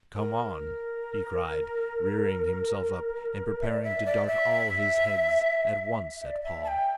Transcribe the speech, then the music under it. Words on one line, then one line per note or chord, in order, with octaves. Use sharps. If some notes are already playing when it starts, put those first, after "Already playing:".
'Come on,' he cried, rearing himself up and preparing to dart all his heads at once at Paul.
A#4
E5
D5
E5
D5
E5
E5
D5
E5
A5
G5